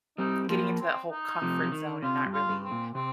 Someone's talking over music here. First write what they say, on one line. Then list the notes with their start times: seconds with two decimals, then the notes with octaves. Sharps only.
getting into that whole comfort zone, and not really
0.18 G3 C4 D#4
0.49 F3 A#3 F4
0.80 C4
1.11 D#4
1.42 C3 F3
1.63 F3
1.72 D#3
2.03 C3 F4
2.26 G2
2.34 F4
2.49 G2
2.65 C4
2.71 A#2
2.95 C3 C4